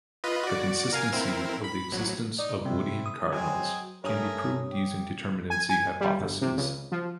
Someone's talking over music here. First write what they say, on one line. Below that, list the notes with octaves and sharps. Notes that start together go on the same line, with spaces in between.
The consistency of the existence of Woodin cardinals can be proved using determinacy hypotheses.
F4 B4 D#5
F#4 D5
A#4 F5 G#5
C4 E4 A#4
B5
A#1 F#3
D#4 D5
G2 C3 E4 C5
D#6
F#3 G#3 C4 G#5
G2 A3 A#4 C#5 G#5 D#6
G4
G#5
G#5
G3
G1
C3
C#2
F3